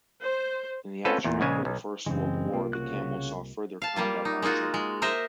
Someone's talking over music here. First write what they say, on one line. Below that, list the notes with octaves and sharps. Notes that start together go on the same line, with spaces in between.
In the aftermath of the First World War, the Camel saw further combat action.
C5
C4 C#4 F4 A4 B4
E2 A#2
A#1 C#3 G#3 G#5
B1
F#2 C#3 E3 G#3 C4
C2 A#3 F4
C#3 F#4 F#6
F5 A5
G3 A#3 F4
D#4
G#3 A#3 D#4 F4 F#4
G#3
A#4 C5 D#5 E5